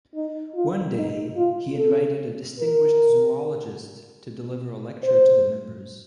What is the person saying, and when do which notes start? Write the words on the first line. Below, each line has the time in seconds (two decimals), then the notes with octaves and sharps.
One day he invited a distinguished zoologist to deliver a lecture to the members.
0.15 D#4
0.55 F4
0.96 D#4
1.36 F4
1.78 A4
2.59 A#4
5.03 C5